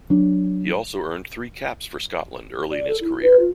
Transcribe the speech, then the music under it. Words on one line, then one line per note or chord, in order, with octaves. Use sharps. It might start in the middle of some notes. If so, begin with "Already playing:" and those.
He also earned three caps for Scotland early in his career.
F#3 D4
D5
A4
E4
B4
F4